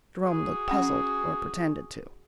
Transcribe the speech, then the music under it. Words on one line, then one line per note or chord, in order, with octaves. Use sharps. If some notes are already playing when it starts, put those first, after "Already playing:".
Jerome looked puzzled, or pretended to.
F#4 G#4
C#4 F#5 G5